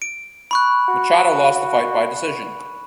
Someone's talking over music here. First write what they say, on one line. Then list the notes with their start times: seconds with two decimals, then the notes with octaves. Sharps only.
Machado lost the fight by decision.
0.02 D7
0.51 B5 C#6 F#6
0.88 F#4